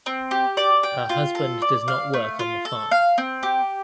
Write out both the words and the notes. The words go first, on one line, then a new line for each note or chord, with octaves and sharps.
Her husband does not work on the farm.
C4
G4
D5
G5
F4
A4
D5
F5
A3
F4
A4
F5
C4
G4